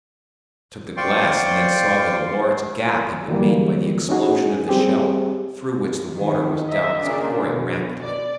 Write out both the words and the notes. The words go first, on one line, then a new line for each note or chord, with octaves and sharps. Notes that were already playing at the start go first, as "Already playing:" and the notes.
I took the glass, and then saw that a large gap had been made by the explosion of the shell, through which the water was doubtless pouring rapidly.
C5 D5 F5 G5 C6 C#6
D3 E3 F#3 G3 A#3
C#4 D#4 F#4 G#4
G3 C4 G4 G#4
F2 D#3
D#4 D#5 E5
A#2 C#3 D4
B2
D5